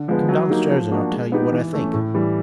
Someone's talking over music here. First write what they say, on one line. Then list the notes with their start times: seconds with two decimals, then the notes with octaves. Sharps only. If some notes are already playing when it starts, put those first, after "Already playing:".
"Come down-stairs, and I'll tell you what I think."
Already playing: D3
0.08 F3 G#3 B3
0.29 F#3
0.50 A#3 D#4 G4
0.70 F3
0.91 A#3 D4 F#4
1.11 G#3
1.32 B3 D#4 G4
1.52 E3
1.73 A3 C#4
1.94 A2
2.14 E3 G3